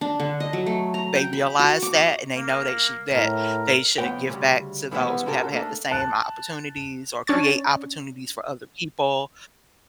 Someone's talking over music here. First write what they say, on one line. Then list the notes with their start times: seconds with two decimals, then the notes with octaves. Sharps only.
they realize that and they know they shou that they should give back to those who haven't had the same opportunities or create opportunities for other people,
0.01 D4
0.20 D3
0.40 D#5
0.53 F#3
0.66 A3
0.94 A#5
1.15 G5
1.33 B5
1.59 F#4
1.82 D6
1.95 D#5
2.36 A#3
3.14 A2 A#4
3.98 F2 C3 B3 C#5 G5
4.27 D2 C#3 G3
4.91 B2 E3 F3 G3 G#3 B3
5.26 A#2 D3 F#4 G4 A4 A#4
5.52 A3 A#3 D4 A4
5.91 A5 F#6
7.27 C#4 D4 C#6 A6